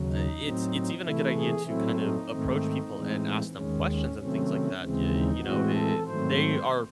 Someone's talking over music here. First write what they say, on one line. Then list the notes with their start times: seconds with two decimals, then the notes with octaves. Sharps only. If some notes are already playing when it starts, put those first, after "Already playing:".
uh, it's it's even a good idea to kind of approach people and ask them questions and things like that, ya uh, you know, i it they are
Already playing: D#2 C#3 F#3
0.09 D#4
0.40 A2 F#3 C4
1.04 C3 E3 A3 E4
1.34 G#4
1.66 A2 F#3 A3 C4 E4
1.97 D#4
2.30 G#2 D#3 A3 C4
2.92 A2 E3 G#3 C4
3.55 D#2 D#3 G#3 C#4
3.87 C#4
4.18 C3 D#3 F#3 A3 C4 C#4
4.80 D#2 C#3 E3 G#3 C4
5.13 D#4
5.44 A2 E3 G#3 C4 F#4
5.75 A4
6.07 G#2 D#3 F#3 A3 C4 C5